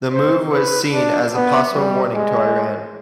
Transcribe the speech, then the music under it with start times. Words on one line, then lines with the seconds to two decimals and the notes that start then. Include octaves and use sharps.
The move was seen as a possible warning to Iran.
0.12 C5
0.52 B4
0.93 D4
1.33 B3
1.74 G3
2.15 G#3